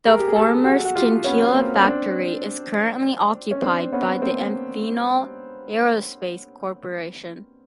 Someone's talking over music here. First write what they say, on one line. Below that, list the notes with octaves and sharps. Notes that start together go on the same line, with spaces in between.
The former Scintilla factory is currently occupied by the Amphenol Aerospace Corporation.
G#4 A#4
G4
G#4
G4 A4
F#4 G#4
F#4
F4 G4
B3 C#4
A#3 C4
C#4
C4 D4
C#4
C4 D4
B3 C#4
A#3 C4